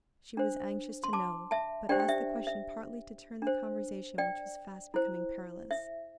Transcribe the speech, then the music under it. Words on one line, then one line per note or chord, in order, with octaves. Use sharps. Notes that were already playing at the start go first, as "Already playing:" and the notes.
She was anxious to know, but asked the question partly to turn the conversation which was fast becoming perilous.
D4 C5
C6
A5 D6
E5 A5
D4 G4 C5 D5 G5
G5
E5
E5
D4 C5
D5 G5
E4 C5
E5